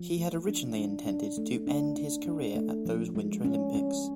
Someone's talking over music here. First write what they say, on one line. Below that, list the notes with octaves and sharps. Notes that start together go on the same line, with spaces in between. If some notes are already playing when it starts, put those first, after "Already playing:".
He had originally intended to end his career at those Winter Olympics.
Already playing: F3
A3
D4
D4
D4
A3
D4
D4
D4
A3
F3
G#3
C#4
C#4